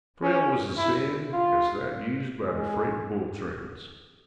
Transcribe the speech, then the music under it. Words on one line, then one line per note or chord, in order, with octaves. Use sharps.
The trail was the same as that used by the freight bull trains.
C#4
E4
F4
G#3